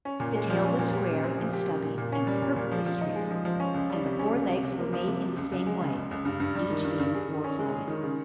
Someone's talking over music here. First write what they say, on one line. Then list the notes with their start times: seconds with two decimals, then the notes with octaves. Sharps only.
The tail was square and stubby and perfectly straight, and the four legs were made in the same way, each being four-sided.
0.05 C#4
0.20 A#2
0.35 G#3
0.50 F3
0.65 C#4
0.79 A#2
0.93 G4
1.09 C#3
1.24 C4
1.38 F3
1.53 G4
1.67 C#3
1.83 A#2
1.98 A#2
2.12 C#4
2.27 G3
2.42 A#2
2.56 A#2
2.72 F3
2.86 F3
3.01 D#4
3.16 G#3
3.31 F3
3.45 F3
3.60 C#4
3.74 C#2
3.90 G3
4.05 C3
4.19 C#4
4.34 C#2
4.49 C3
4.63 C3
4.78 A#3
4.93 F3
5.08 C3
5.23 C3
5.37 C#2
5.52 C#2
5.66 G#3
5.81 C#3
5.96 C#2
6.11 C#2
6.25 G2
6.40 G2
6.55 G3
6.70 D#3
6.85 G2
6.99 G2
7.14 G#4
7.29 D#3
7.44 C#4
7.59 G#3
7.74 G#4
7.88 D#3
8.03 C#3